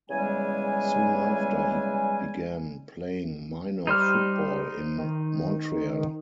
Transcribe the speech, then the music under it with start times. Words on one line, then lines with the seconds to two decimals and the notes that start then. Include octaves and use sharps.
Soon after, he began playing minor football in Montreal.
0.10 E2 C#3 G3 G#3 G#5
3.87 G3 D#4 C5 F6
4.98 D#3